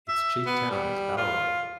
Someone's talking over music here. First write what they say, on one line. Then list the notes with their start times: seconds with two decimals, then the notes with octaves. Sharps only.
Its chief town is Balleroy.
0.09 E5
0.46 B3
0.71 G3
1.17 F4